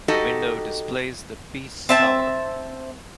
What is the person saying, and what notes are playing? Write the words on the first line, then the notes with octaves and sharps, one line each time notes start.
The window displays the Peace Tower.
D#4 F#4 G4 A4 D#5
C4 E5 A5